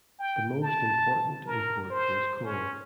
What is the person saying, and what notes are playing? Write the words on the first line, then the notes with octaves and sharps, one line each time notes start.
The most important import was coal.
G5
A5
A#4
C5
C#4